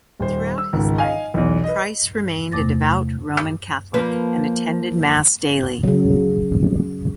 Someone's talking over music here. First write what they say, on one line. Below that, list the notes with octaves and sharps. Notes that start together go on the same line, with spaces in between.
Throughout his life Price remained a devout Roman Catholic and attended Mass daily.
D#1 C5
E6
G#1 C#2
D#5 F5 G#5
B1 E2
B4 D#5
E2 C3 A3 D6 A6 A#6
F3 A#3 B4
C#3 F#3